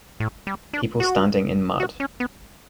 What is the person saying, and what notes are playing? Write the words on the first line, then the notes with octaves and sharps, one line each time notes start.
People standing in mud.
A2
G3
D4
F#4
F#4
C#4
B3